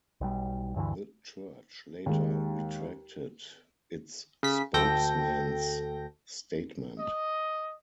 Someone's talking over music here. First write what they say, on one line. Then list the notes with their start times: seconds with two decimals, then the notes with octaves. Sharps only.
The church later retracted its spokesman's statement.
0.21 B1 G3
0.76 D2 G2 D3 E3
2.06 D#2 D#3 G#3
4.43 C#3 B6
4.74 D2 A4 G5 G6 A#6
6.99 D#5